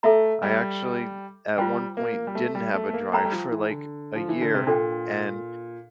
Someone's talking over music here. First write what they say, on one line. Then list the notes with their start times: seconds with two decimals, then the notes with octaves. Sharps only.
I actually, at one point, didn't have a dryer for, like, a year, and
0.03 A3 A4 E5 A#5
0.42 G3
1.58 G3 F4 C5 G5
1.97 A#3
2.27 G3
2.35 A3
2.55 G3
2.74 A3
2.89 A3
2.94 A#3
3.12 A3 C5 G5 A#5
3.25 G3
3.32 F3
3.51 E3
3.70 D3
4.15 F3
4.29 E3
4.41 D3
4.54 C3
4.67 A#2 D4 A4 C5 G5